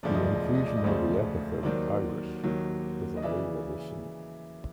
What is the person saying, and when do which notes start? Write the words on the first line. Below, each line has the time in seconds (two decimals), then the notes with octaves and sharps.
The inclusion of the epithet "Irish" is a late addition.
0.03 E1 D2 C#3 F3 A3 D5
0.15 D#5
0.24 D5
0.35 D#5
0.45 D5
0.55 D#5
0.66 D5
0.77 D#5
0.83 E1 D2 C#3 F3 A3 C5 D5
1.63 D#2 D#3 F#3 C5 D5
2.44 D#2 D#3 F#3
3.17 D#5
3.22 C#3 E3 D5 E5